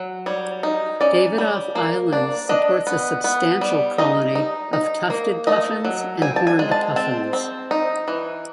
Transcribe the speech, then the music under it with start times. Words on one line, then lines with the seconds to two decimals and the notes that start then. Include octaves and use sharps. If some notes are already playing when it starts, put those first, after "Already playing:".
Davidof Island supports a substantial colony of Tufted Puffins and Horned Puffins.
Already playing: F#3
0.26 G3 C#5
0.63 D#4
1.01 C#4 D5
1.38 G3
1.75 A#3
2.13 D4
2.49 D4 D#5
2.87 B3
3.24 B3
3.61 G3
3.98 D#4 D#5
4.35 D#4
4.73 D#4
5.10 A#3
5.47 A3 D#5
5.85 F#3
6.22 C4 G#5
6.36 A5
6.47 G#5
6.59 G#3
6.71 A5
6.96 C4 A5
7.33 C4
7.71 D#4
8.08 E3